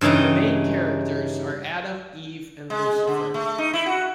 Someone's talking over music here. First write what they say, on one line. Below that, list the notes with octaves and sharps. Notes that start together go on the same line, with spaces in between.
The main characters are Adam, Eve and Lucifer.
G2 C#3 E3 D#4 G5
G#3
D3
A3
D#4
E4
F#4